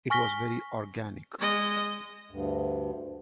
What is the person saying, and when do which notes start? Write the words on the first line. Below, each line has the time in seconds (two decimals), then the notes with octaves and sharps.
It was very organic.
0.10 G#5 C#6 F6 A#6 B6 G7
1.40 G#3 D#5
2.31 D2 G2